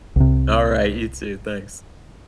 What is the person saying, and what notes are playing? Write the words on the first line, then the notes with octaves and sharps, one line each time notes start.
Alright, you too. Thanks.
C2 C3